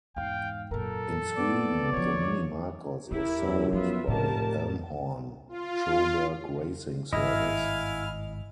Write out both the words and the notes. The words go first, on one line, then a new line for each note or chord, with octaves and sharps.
In Sweden the Mini Marcos was sold by Elmhorn-Troberg Racing Service.
E2 G#2 F5 G5
F#2 A#2 A4 A#4
B3 D5
F3 A#3 C#5
E2 E4 G4 A#4
F#2
F3 B3 F4 E5
F1 A2 G4 A#4 A5
F4
G#1 G2 E4 D#5 F5 G#5 F6